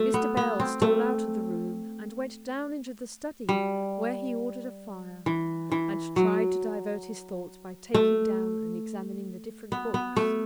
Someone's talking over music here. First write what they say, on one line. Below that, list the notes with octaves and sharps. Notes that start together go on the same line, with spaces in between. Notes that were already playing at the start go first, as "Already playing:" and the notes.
Mr. Bell stole out of the room, and went down into the study, where he ordered a fire, and tried to divert his thoughts by taking down and examining the different books.
Already playing: A3
B3
B3
C4
A3
G3
E3
E3
F#3
A3
B3
B3
A3